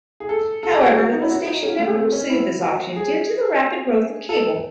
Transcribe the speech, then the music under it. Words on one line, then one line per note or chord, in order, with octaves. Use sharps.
However, the station never pursued this option due to the rapid growth of cable.
G#4
A4
A4
G#4
F#4
G#4
F#4
D#4
E4
F#4
D#4
C#4
A3
A3
C4
C#4
E4
F#4
G#4
A4